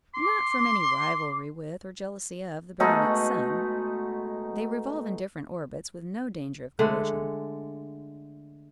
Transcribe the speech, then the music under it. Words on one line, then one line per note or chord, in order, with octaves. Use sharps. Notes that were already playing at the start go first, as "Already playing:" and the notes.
Not from any rivalry with, or jealousy of, the baronet's son: they revolve in different orbits, with no danger of collision.
C6 D6
B2 G#3 A3 D#4
D3 G#3 A3